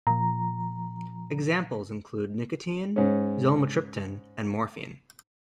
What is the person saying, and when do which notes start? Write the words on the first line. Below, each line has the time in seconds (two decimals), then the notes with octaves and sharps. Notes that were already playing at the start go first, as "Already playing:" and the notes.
Examples include nicotine, Zolmitriptan, and morphine.
0.07 A#2 F3 A#5
2.96 G#2 C#4